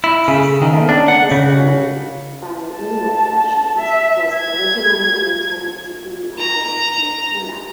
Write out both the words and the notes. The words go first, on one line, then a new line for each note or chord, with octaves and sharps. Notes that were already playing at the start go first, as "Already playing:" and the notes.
"Suspending Disbelief", from "The Inuit Sessions", was originally intended to be on "Juturna".
E4
C#3
D#3
D4
F#5
C#3
A5
E5
G#6
A#5